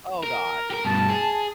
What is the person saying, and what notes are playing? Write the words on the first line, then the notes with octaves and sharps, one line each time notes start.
Oh god.
A#4
G4 A#4
G2 B2 A5
G#4